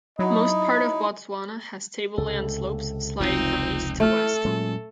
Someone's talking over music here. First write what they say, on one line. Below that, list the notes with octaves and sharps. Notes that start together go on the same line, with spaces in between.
Most part of Botswana has tableland slopes sliding from east to west.
F#3 D#4 E4 D#5
C#2 C3 A4
F1 C#2 C4 D#4 F4
A3 E4 A4 F6
A#2 F#3 G#3 C#4